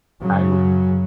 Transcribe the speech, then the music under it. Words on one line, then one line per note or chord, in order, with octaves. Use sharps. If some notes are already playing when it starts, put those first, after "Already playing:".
I would
F#2 C#3 F#3